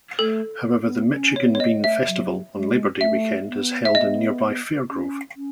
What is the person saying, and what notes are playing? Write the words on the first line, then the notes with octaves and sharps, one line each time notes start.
However, the "Michigan Bean Festival" on Labor Day weekend is held in nearby Fairgrove.
A3 A4
B3
C#4
C#5
B3
C#5
D#5
A3
E5
F#3
G#3
A3 E5
B3
E5
B3 D#5
C#4
C#4